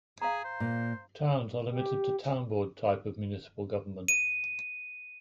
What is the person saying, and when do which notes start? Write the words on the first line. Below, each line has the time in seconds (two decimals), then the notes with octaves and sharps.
Towns are limited to town board type of municipal government.
0.22 G#4 F5 A#5
0.44 C5
0.60 A#2
1.70 G4
4.08 D#7